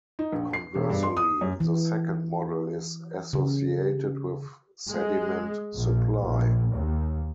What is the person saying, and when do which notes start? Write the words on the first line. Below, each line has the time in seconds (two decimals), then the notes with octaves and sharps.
Conversely, the second model is associated with sediment supply.
0.19 D#4
0.32 A#1
0.53 C7
0.75 E1
0.90 G2
1.03 C6
1.17 D#6
1.41 F#2
1.60 E3
3.33 C#3
4.89 G#3
5.74 A#1
6.20 A#1
6.71 D#2